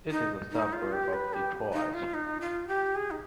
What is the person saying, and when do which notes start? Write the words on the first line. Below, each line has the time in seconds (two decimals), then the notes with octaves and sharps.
It is a suburb of Detroit.
0.11 D#4
0.52 D#4
0.73 F4
0.93 G4
1.13 B4
1.33 G4
1.73 D#4
1.94 F4
2.14 D#4
2.41 F4
2.67 G4
2.95 G#4
3.11 D#4